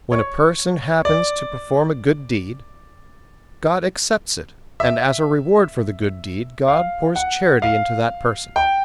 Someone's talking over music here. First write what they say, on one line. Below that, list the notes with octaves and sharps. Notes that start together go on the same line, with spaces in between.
When a person happens to perform a good deed, God accepts it and as a reward for the good deed God pours charity into that person.
C#5
D5
E5
F5
F#5
F5
G5